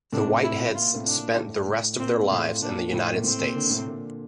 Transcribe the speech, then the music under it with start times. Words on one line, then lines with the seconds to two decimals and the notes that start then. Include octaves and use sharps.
The Whiteheads spent the rest of their lives in the United States.
0.13 A2 C3 D4
0.44 E4
0.75 A#2 F4
0.95 A2 C3
1.06 D4
1.17 A#2
1.37 A2
1.69 A2
1.99 A#2 C4
2.31 A2 F4
2.61 A#2 D4
2.92 A2 C4
3.15 A#2
3.24 A2 C4
3.39 A#2
3.55 A#2 D3
3.70 A2 C3
3.86 A#2 D3